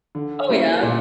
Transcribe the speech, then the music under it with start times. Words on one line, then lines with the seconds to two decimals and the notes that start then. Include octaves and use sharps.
Oh, yeah.
0.15 D3
0.49 G3 A#3 C#4 E4
0.83 A#2